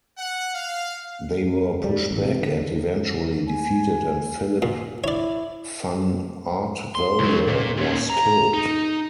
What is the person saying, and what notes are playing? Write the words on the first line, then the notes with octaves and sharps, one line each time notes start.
They were pushed back and eventually defeated and Philip van Artevelde was killed.
F#5
F5
G3
A1
C3
D3
G#5
A#2
E4 C#5 D5
C6
C#2 F#3
A#2
A#2 C#4
A#5
D#4